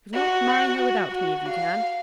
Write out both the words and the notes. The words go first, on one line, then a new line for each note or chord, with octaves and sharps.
If not, marry her without me if you can.
F#4
F#4
F#4
F5